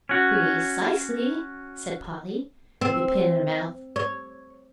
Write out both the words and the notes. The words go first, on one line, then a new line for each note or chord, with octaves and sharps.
"Pre-cisely," said Polly, with a pin in her mouth.
C#4 F#4
C4
C#5